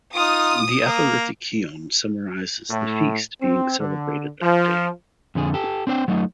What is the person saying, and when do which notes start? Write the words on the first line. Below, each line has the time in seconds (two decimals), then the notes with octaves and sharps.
The apolytikion summarizes the feast being celebrated that day.
0.16 D#4 F4 D#6
0.84 A#3
2.69 A2
3.41 C4
3.79 D3
4.42 F3
5.35 F2 D3 G#4
5.54 G4 A4
5.87 C4 D4 C5 G5
6.08 F#3 A3 D#4